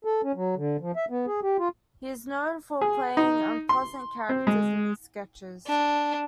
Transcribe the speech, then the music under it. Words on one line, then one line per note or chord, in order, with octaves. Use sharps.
He is known for playing unpleasant characters in his sketches.
A4
C#4
F#3
D3
F3
E5
B3
G#4
G4
F4
G#4
D#4
C6
C4
G#3
D4